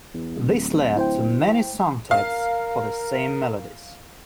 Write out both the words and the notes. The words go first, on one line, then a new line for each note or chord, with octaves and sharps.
This led to many songtexts for the same melodies.
E2
D1
E4 C5 G5
A#4 F5